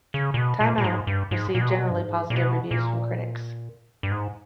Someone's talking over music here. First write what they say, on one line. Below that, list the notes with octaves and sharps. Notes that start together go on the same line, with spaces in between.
"Time Out" received generally positive reviews from critics.
C#3
A#2
B2
A#2
A#2
G#2
G2
G#2
A#2
B2
A#2
B2
G2
G#2
A#2
B2
A#2
G2
G#2